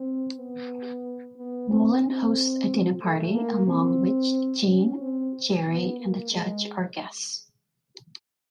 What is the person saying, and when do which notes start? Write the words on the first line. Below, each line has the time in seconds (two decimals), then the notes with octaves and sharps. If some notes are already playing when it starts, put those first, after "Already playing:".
Vollin hosts a dinner party, among which Jean, Jerry, and the Judge are guests.
Already playing: C4
0.38 B3
1.37 B3
1.70 C4
2.03 C4
3.02 A3
3.34 A#3
3.67 C4
4.68 C#4
5.01 C4
5.66 B3
6.00 A#3
6.32 G#3